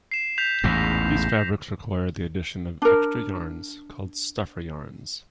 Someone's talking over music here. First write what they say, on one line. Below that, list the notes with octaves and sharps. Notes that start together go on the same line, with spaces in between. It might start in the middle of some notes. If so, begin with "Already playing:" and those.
These fabrics require the addition of extra yarns, called stuffer yarns.
C7 E7
G6 B6 F7
A1 E2 G#2 A#6
D4 A#4